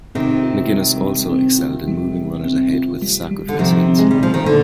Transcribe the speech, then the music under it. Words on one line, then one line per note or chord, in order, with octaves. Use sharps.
McInnis also excelled in moving runners ahead with sacrifice hits.
C3 D#3 C4
F4
G3
G3
C4
F4
G3
G3
C4
F4
G3
G3
D3
C3 D#3 F3
C4
G#3
G3
A#2
F3
D#3
A#2 D3